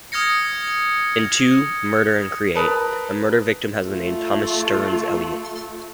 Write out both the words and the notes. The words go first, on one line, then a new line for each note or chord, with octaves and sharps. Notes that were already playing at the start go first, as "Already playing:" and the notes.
In "To Murder and Create", a murder victim has the name "Thomas Stearns Eliot".
D#6 F6 G#6 A#6 C#7
A#4 B4 A5 D#6
A3 F4